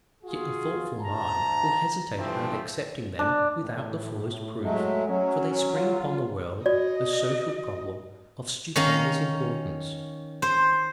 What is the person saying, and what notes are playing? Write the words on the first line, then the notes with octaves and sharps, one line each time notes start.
Yet the thoughtful mind will hesitate about accepting them without the fullest proof, for they spring upon the world a social problem of stupendous importance.
F4 F#4 G#4
D2 A5 A#5
G2 E3 F3 A3 C4
D4
A2
F#3 G#3 A3
F#3 C#4
F4
F#4 D5 D#5
D#3 C#4 F5 A#5
C5